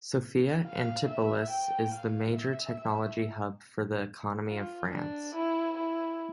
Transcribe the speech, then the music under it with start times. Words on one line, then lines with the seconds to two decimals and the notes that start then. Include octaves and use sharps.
Sophia Antipolis is the major technology hub for the economy of France.
0.66 F5
1.08 E5
1.50 G5
1.94 F5
2.37 E5
4.49 F4
4.92 D4
5.35 E4
5.77 E4